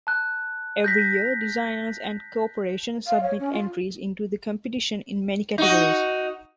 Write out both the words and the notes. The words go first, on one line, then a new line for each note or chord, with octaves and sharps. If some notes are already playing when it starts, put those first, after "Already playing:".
Every year, designers and corporations submit entries into the competition in many categories.
A5 F#6
G6 A#6 B6
F5
C#5
C#4
F4
D#4 F#4